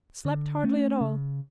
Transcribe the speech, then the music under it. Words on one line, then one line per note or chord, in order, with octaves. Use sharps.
Slept hardly at all.
D3
A3 C#4
C#3